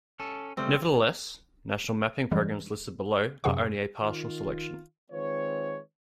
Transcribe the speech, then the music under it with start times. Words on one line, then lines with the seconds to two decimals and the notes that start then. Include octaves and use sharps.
Nevertheless, national mapping programs listed below are only a partial selection.
0.20 C#4 A4
0.57 C#2 G3 A3 C4
2.31 F#2 E3 G3 G#3
3.44 F#2 C3 G#4 F#5 C#6
4.00 D#3 F4
5.11 D#3 G#3 C4 F4 B4 C#5